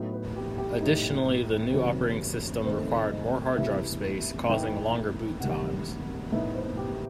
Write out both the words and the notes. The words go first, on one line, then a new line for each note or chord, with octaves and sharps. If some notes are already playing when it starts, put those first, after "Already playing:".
Additionally the new operating system required more hard drive space, causing longer boot times.
Already playing: A2 F#3 B3 D#4
B4
G4
G4
A2 G3 D#4
C3 D#3 F#3 C4 B4
D#3 A3 C4 D#4 C5
D#5
C3 E3 G3 E5
E3 A3 D#4 G5
C3 D#3 G3 F#5
A2 E3 B3 D#4 E5
C5
G4